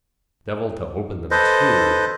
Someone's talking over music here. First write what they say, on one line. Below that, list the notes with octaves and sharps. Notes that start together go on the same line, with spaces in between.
Devil to open them too.
A4 B4 C5 D#5